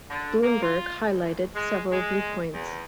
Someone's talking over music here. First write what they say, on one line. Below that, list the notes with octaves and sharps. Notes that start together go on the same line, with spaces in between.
"Bloomberg" highlighted several viewpoints.
D3
A#3
F4
D2
G#3
G#3
E2